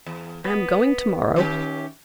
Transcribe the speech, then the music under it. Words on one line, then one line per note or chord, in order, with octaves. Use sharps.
I am going to-morrow.
E2
B3
D#3 C#4 G4